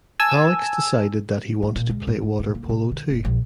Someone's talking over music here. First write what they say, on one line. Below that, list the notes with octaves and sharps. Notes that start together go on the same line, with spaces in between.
Alex decided that he wanted to play water polo too.
G#5 A5 E6
G2
A#2
C#2
G#1
C#2
B2
A#3
C3
D3
F#1
A#1